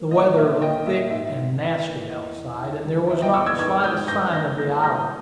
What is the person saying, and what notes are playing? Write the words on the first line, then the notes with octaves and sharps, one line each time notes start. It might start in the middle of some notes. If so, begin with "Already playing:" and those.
The weather looked thick and nasty outside, and there was not the slightest sign of the Islander.
Already playing: A#3
A#2 D#5
A#3 E5
A#3 D#5 G5
A#2 E5
G#2 E5
G#2
E3
A#3
E2 D#5
E2
D#3
G3
E2 E5
D#5 G5
B3 C#6 E6
E6 G#6
D#3 E6 G#6
G#3 D#6 G6
G2 G6 A#6
A#3 G6 A#6
E3 G6 A#6
G3 G6 A#6
D#6 G6